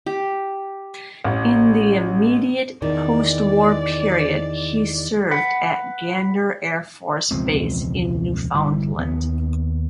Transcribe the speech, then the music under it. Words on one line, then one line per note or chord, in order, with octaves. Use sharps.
In the immediate postwar period, he served at Gander Air Force Base in Newfoundland.
G4
A1
E2 D#3 D5
B4 F#5
E1 C#2 F3 C4
G1 E3
D#2 B3